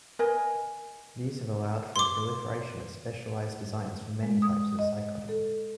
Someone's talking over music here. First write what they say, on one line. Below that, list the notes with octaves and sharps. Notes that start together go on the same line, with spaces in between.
These have allowed for a proliferation of specialized designs for many types of cycling.
A#4 B4 D#5 G#5
C6 D6
G#3
D#6
D#5
A4